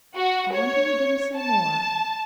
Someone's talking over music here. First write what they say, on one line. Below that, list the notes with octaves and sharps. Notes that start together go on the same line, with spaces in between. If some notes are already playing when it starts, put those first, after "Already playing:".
"I wonder you didn't say more."
F#4
C#5
A5